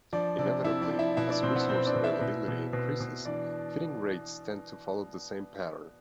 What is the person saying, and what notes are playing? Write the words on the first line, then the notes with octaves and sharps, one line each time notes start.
Inevitably, as resource availability increases, feeding rates tend to follow the same pattern.
F3 D4 D5
C3 D4 D5
C3 E4 E5
D4 D5
F3
E4 E5
B2 E4 E5
D4 D5
B2 C4 C5
B3 B4
B2 C4 C5
D4 D5
B2
E4 E5
B2
B2
B2
B2
E3 D4 D5